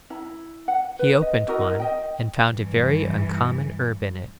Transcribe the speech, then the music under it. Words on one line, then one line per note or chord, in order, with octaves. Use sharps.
He opened one and found a very uncommon herb in it.
E4 A#5
F#5
B4
D#5
E4 F#4 A#4 D#5
D#5 G5
G2 E3